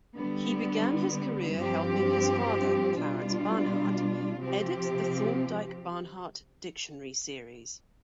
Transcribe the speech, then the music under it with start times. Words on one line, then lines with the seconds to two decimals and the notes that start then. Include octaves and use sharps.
He began his career helping his father, Clarence Barnhart, edit the "Thorndike-Barnhart" dictionary series.
0.16 D3 G3 B3
1.58 G2 F3 C4 G4
2.98 B2 G3 D4 F4
4.41 C3 F3 C4 G4